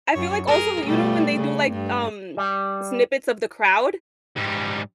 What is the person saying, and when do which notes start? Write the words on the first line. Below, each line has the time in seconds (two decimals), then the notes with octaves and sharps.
I feel like also, you know, when they do like, um, snippets of the crowd,
0.13 F#2 C#5
0.48 G#4 A#4
0.85 B2 G3 A3
1.37 C#3
1.70 G2
2.37 G3
4.36 G#2 G3